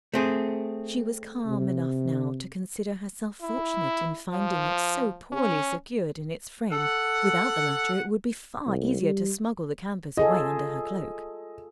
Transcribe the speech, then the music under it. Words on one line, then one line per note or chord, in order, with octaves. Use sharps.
She was calm enough now to consider herself fortunate in finding it so poorly secured in its frame; without the latter it would be far easier to smuggle the canvas away under her cloak.
A3 C4 G#4
C3
E4
F3
C#4
A4 F#5
C2
G3
F4 G#4 A4 D#5